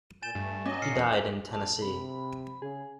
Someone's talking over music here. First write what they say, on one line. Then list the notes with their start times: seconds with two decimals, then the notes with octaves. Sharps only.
He died in Tennessee.
0.22 A#2 G#5 G6 A6 E7
0.35 G2 A3
0.66 F#3 C#4 D#5 D6
0.82 A#2 F6 C7 C#7
0.96 E2
1.53 A#1 A5
1.82 C3 B5
2.62 C#3 G#4